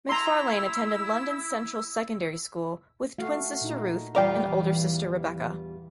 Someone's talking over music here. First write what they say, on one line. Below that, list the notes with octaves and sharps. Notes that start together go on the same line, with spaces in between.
Macfarlane attended London Central Secondary School with twin sister Ruth and older sister Rebecca.
E4 A#5 C6 E6
A3 F#4 F5
A#2 D#4
E2 E3 G3 F4 A#4 D5 F5 G5